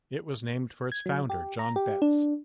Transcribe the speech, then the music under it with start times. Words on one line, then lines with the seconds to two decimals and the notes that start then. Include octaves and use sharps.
It was named for its founder, John Betts.
0.92 G#6
1.06 F#3
1.30 G4
1.59 A#5
1.76 G4
2.02 D4